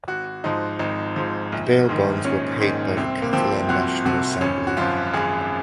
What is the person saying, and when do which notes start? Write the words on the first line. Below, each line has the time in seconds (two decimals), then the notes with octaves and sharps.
The bail bonds were paid by the Catalan National Assembly.
0.08 G#1 F#4
0.44 G#2 F3 D#4
0.79 G#1 D#4
1.16 G#2 F3
1.52 A#1
1.89 G#2 D#3
2.24 A#1 C#4
2.60 G#2 D#3
2.97 C2 C4
3.22 A#3
3.33 C3 F3 C4
3.69 C2 F#4
4.05 C3 F3 F#4
4.41 G#1 C#4
4.67 F#4
4.77 F#2 F3 F4
5.14 G#1 G#4